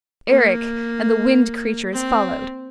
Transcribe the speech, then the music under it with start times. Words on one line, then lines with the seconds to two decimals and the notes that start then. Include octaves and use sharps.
Eric and the Wind Creatures followed.
0.29 A#3
1.93 C4